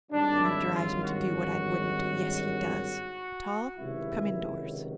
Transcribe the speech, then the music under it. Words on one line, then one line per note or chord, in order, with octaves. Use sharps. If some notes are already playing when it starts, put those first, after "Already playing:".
"And he drives me to do what I wouldn't; yes, he does!--Tall, come indoors."
G#1 G2 D#3 F#3 D4
E4
F4
F#4
C#2 C3 D#3 F#3 E4